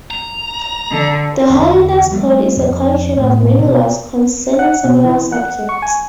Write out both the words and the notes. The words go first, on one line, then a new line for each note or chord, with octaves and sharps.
The Holiness Code is a collection of many laws concerning several subjects.
A#5
D3
E2 D3
G3 A3 A#3
F2
A2
B2
F#5
B2
E3
F#5
C#6
G#5